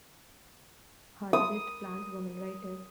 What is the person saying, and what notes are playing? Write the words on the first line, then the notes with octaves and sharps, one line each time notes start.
Herbalist, plants women, writer.
D#6